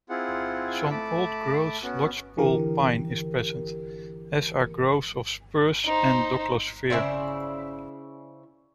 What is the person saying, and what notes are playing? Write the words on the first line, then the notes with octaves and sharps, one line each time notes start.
Some old-growth lodgepole pine is present, as are groves of spruce and douglas-fir.
C4 E4 F4 G#4 F#5
A3 A5 B5 D6
B3 C#4 F#4
D3 E3 G4 A#4
D#4 C5
C#3 E4 C5 D5